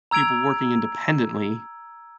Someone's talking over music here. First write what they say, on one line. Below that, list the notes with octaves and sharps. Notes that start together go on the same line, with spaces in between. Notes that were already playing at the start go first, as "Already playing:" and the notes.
people working independently,
A#5 E6 G#6 D7 F7